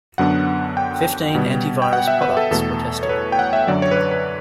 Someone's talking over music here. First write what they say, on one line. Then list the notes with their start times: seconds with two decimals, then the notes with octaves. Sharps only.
Fifteen anti-virus products were tested.
0.18 F#2 D3 F#3 B3 D4 F#5
0.77 G5
1.35 B2 G3 B3
1.82 G5
1.93 F#5
2.08 E5
2.22 B4
2.37 A4
2.51 E2 B2 A3 A4
3.03 C#5
3.09 B4
3.32 G5
3.39 F#5
3.53 E5
3.67 F#2 D3 F#3 D5
3.82 C#5
3.91 B4
3.97 C#5
4.11 B4